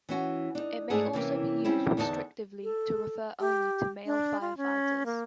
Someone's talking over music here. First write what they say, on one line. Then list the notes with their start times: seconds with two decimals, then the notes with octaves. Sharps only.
It may also be used restrictively to refer only to male firefighters.
0.09 E3 C#4 F#4
0.55 D4 D#4
0.90 G#2 A3 D4 E4 G#4
1.13 C3 E3 A#3 C#4
1.64 G3 C4 C#4 E4
1.97 E2 D3 D#4 A#4 A5
2.64 A4
3.40 G4
4.06 D4
4.41 F4
4.57 C#4
5.06 A#3